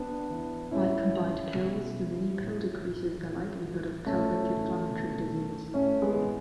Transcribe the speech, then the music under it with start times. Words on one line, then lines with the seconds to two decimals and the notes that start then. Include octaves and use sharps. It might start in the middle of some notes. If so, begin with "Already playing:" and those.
Like combined pills, the minipill decreases the likelihood of pelvic inflammatory disease.
Already playing: B3 D4
0.30 E3
0.71 A2 C#4 E4
1.13 E3
1.55 B2
2.39 A2
2.80 E3
3.22 A2
3.65 E3
4.06 A2 A3 C#4
4.48 E3
4.90 B2
5.74 A2 A3 C#4
6.02 G#3 B3
6.15 E3